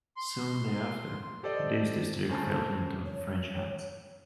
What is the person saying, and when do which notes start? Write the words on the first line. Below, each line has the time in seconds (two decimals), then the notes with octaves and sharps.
Soon thereafter, this district fell into French hands.
0.17 C6
1.43 G4 A4 C5 D5 D#5
2.29 D2 C#3 C#4 C5 A5
3.05 C#5